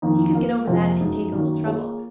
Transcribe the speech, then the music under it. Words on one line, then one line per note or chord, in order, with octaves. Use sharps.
He could get over that if he'd take a little trouble.
F2 D#3 A#3 D#4
A#3 F4 A#4 F5
F2 C3 F3 A#3 F4
F#2 F3 G#3 D#4
F#2 D#3 A#3
A#3 F4 G#4 C#5